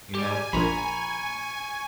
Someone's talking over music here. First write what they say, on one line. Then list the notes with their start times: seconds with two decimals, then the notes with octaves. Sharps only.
You know?
0.15 G4 D5 G#5
0.53 A#1 A#2 A#5 B5 C#6